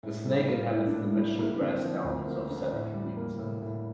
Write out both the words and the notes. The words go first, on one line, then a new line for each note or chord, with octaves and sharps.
The snake inhabits the Mitchell Grass Downs of central Queensland.
A2
G3 A4
A#3 F4
A2 E4
D4
A2
D4
G3
E4
A#3 E4
D3 C4
F3
D2 C4
A#3
D3
A2
G3
A#3
A2
A2